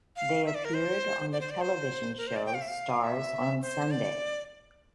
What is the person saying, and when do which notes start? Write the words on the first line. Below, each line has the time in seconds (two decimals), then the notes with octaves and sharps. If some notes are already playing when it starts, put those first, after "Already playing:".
They appeared on the television show "Stars on Sunday".
0.16 F5
0.46 E5
0.55 D5
0.65 A#4
0.74 C5
1.32 D5
1.41 C5
1.51 D5
1.61 C5
2.18 A#4
2.27 C5
2.36 D5
2.46 G5
2.54 F5
2.61 E5
2.68 F5
3.03 E5
3.62 C5
3.91 D5